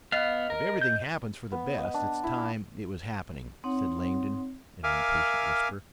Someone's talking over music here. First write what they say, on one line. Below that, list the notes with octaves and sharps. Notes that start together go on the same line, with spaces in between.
"If everything happens for the best it's time it was happening," said Langdon in an impatient whisper.
B3 D#5 F5
A#4
G6
B3
D#5
D4
E4
D6
C4 D#4 C#5 F#5
A#4 E5 F5 G#5 D6 F6